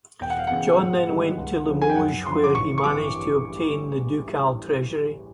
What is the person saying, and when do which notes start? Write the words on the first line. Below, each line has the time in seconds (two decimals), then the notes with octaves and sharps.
John then went to Limoges where he managed to obtain the ducal treasury.
0.21 E1 G5
0.30 F#5
0.39 F5
0.47 E2 C#3 F#5
0.79 G#2
1.09 D#3 G3
1.38 C#2
1.68 C#3 F3
1.82 G#5
1.90 G5
1.96 F#2 F#5
2.26 D3 F3 C6
2.44 D6
2.55 A1 C#6
2.78 C#6
2.84 G2 E3 G3 D6